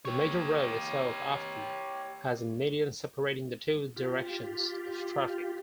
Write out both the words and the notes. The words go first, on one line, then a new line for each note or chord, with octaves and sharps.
The major road itself often has a median separating the two directions of traffic.
G4 C#5
F4 G4